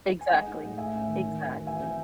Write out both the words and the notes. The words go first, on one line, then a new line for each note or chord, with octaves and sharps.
Exactly. Exactly.
G#5
G#3 D#5 F#5
D#4
A2
A3 E5 G#5
C#4
D#3
D#3
A3
F#2
E3 E5 G#5
C4